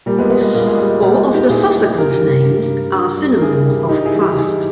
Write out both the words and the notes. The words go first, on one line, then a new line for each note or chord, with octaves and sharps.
All of the subsequent names are synonyms of "fast".
A#2 G3 A#3
G#3 B3
G3 G#3 B3
G#3 B3
A#2 G3 A#3
G#3
G3
G#3
A#2 G3
G#3
G3
D#4 G4
A#2 E4 G#4
G3
G2 G4 A#4
G3
G2
G3
G2
G3
A#4
G2 E4 G#4
G3
G#2 D#4 G4
E4 G#4
E3 G3
D#4 G4
G4
G#2 E4 G#4